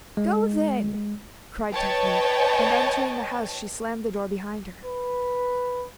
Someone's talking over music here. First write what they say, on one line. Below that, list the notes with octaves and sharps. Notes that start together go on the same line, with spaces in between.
'Go then!' cried Tephany, and entering the house she slammed the door behind her.
G#3
B4 C#5 D#5 G5 A5
B4